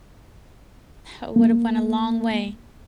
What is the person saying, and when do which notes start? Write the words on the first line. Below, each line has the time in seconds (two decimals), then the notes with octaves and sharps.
That would've went a long way.
1.36 A#3